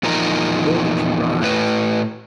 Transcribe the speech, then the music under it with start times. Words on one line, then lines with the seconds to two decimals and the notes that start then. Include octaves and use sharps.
Nor did she rise.
0.03 E2 A#2 F3 D#4 A#4 A#5
1.42 A2 B4